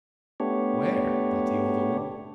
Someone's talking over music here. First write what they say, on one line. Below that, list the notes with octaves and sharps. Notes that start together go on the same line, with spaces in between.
"Where?" thought the old woman.
A3 B3 D4 G4 C#5